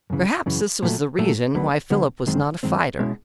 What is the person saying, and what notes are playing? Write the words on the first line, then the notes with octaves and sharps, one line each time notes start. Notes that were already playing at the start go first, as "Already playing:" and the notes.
Perhaps this was the reason why Philip was not a fighter.
F#2 C#3 E3
F#2 C#3 E3
A#2 F#3 A3
A#2 F#3 A3
D2 D3 F#3 B3
D2 D3 F#3 B3
F#2 D#3 G#3 C4
F#2 D#3 G#3 C4
B2 G#3 C#4 E4